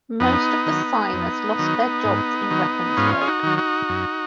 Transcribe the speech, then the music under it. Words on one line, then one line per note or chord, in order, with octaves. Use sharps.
Most of the signers lost their jobs in weapons work.
F2 B3 D#4
D#3 F#3
F2
D#3 F#3
G#2
D#3 F#3
G#2 C#4 F4
G#4
D#4 F#4
D#3 F#3
D#4 F#4
F#2